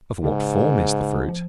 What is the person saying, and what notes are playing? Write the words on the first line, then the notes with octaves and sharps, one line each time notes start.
Of what form is the fruit?
G#2 C#3
F3